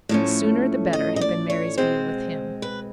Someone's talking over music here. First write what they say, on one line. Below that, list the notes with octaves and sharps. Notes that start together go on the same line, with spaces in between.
The sooner the better had been Mary's view with him.
A2 F3 A3 C#4 E5
D#5
D#5
D5
C#5
B2 G#3 C4 C5
B4